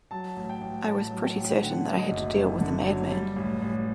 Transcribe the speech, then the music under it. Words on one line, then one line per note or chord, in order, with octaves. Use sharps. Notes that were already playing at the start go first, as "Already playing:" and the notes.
I was pretty certain that I had to deal with a madman.
F#3 A5
A1
G5
A1
A2 A5
F#3
G5
A1
G5
D3 F#5
F#3
D#5
F#1
F#2
D3
F#3
G3
A1
A1